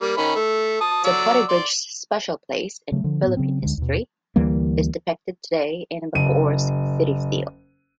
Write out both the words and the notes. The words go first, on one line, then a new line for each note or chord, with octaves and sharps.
Zapote Bridge's special place in Philippine history is depicted today in Bacoor's city seal.
G3 A#3
D#3 C#4 B5
A3
A5 D#6
F#3 D5 E6
D5 C6
C#3 F#3 G3 A3
D3 F3
A2 B3
C#3 F#3 C4
D2 D3 G#3
D#2 B2
D2 E3 G3 A#3
F#1 D#7